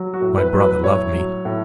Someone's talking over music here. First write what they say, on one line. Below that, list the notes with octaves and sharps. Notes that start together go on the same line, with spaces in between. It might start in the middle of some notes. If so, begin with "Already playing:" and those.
My brother loved me.
Already playing: F#3
F#4
A2
B4
F#3
B4
A2 C#5
F#3
A2